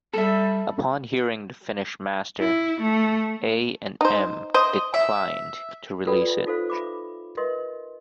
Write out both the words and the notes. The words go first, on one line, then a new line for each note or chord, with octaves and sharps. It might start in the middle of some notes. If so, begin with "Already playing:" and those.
Upon hearing the finished master, A and M declined to release it.
G3 A4 E5
E4
A3
D#4 C5
C5 D#5
E5
F4 A4 B4 D5 G5 B5
D5
D#4 F4 A4 C5 F5
E5 B5 D6
A#4 B4 D#5 E5 C6